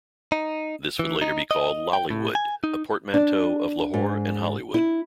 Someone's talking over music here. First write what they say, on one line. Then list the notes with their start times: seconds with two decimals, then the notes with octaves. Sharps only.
This would later be called "Lollywood", a portmanteau of Lahore and Hollywood.
0.32 D#4
0.99 E3
1.22 D#4
1.51 D#5
1.93 G5
2.10 A2
2.35 G#5
2.64 D#4
3.14 D4
3.94 G#2
4.74 E4